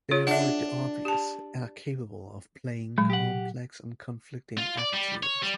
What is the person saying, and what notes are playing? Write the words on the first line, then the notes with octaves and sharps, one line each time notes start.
They avoid the obvious, and are capable of playing complex and conflicting attitudes.
F4 G#4 C#5
D4 E5 F#5
G4 A5
A#2 F#3 G#3
G4 F#5
F4
D5
G3
C#5
G3